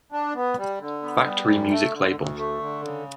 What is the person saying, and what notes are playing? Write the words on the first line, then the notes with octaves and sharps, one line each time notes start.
Factory music label.
D4
B3
G3
D3
B3
G3
F#2
A3
D3
D2
A3
D3
C#3